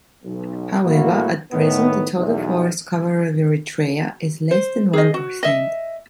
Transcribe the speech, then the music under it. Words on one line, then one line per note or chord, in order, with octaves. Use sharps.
However, at present the total forest cover of Eritrea is less than one percent.
B1
A2 G#3 A#3 E4 F#4
A2 D#3 B3
B1 E2
C5
G#4 D#5
F#4
D#5 E5